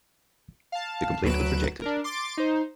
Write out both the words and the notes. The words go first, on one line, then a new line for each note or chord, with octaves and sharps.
The complaint was rejected.
F5 A5
D2 F#3 B4 F#6 D7 E7
D4 A#4
C6 D6 A6 D7
D#4 C5